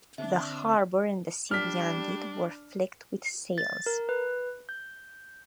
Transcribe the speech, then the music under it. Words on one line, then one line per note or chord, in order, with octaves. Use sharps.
The harbour and the sea beyond it were flecked with sails.
D3 C4 D4 E5
G3 D4 F6 B6
A6
A#4
B4
G6